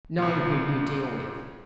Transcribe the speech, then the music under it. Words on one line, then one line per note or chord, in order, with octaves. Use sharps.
Know whom you deal with.
C2 A#2